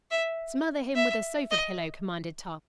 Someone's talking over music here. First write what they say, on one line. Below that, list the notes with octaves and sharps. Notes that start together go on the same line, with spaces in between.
"Smother him with a sofa pillow!" commanded Tom.
E5
E5
D#5